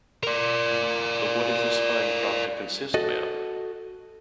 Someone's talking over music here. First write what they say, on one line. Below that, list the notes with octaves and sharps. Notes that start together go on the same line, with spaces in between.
Of what is this fine crop to consist, ma'am?
A#4 D5
F#4 A4 D#5